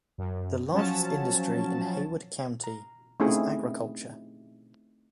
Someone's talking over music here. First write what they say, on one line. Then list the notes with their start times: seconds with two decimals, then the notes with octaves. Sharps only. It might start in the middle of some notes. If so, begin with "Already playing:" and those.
The largest industry in Haywood County is agriculture.
0.18 F#2
0.73 F3 F#3 C#4 A5
2.64 A#5
3.20 A3 C4 C#4 D#4 E4 G#4